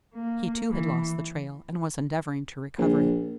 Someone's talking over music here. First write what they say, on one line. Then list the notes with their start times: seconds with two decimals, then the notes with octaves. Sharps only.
He too had lost the trail, and was endeavouring to recover it.
0.15 A#3
0.70 E3
2.78 A#1